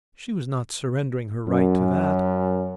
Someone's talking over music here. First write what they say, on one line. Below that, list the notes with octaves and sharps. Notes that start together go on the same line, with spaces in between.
She was not surrendering her right to that.
F#2